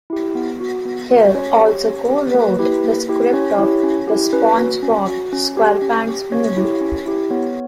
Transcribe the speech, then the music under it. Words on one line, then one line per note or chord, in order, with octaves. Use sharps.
Hill also co-wrote the script of "The SpongeBob SquarePants Movie".
E4 G4
B3
F#4
B3
F#4
C#4 C#5
G4
C#4
G4
A#3 B4
E4 G4
A#3
E4 G4
C#4 C#5
E4 G4
C#4
E4 G4
C#4 B4
F#4
C#4
F#4
C#4
G4
C#4
G4
C#4 C#5
E4 G4
C#4
E4 G4
B3 C#5